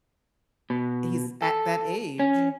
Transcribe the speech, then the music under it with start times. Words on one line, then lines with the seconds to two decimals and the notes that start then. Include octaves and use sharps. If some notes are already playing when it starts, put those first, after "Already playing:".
he's at that age,
0.70 B2
1.42 A4
2.19 C#4